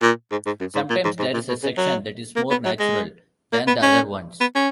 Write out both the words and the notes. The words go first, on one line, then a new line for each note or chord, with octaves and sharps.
Sometimes, there is a section that is more "natural" than the other ones.
A#2
G#2
G#2
F#2
G#2
A#2
G#2
G#2
A#2
B2
C#3
F#3
A#3
B3
F#3
G#3
A#3
B3
C#4
B3
C#4